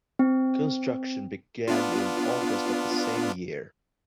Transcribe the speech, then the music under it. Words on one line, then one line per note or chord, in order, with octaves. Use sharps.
Construction began in August of the same year.
C4
B3 D4 F4